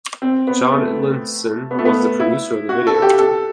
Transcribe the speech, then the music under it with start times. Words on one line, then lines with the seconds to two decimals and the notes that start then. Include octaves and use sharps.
John Linson was the producer of the video.
0.22 C4
0.47 B3
0.72 A3
1.71 B3
1.79 A3
1.85 B3
2.20 E4
2.69 F#4
2.87 A4
3.02 G4
3.19 A4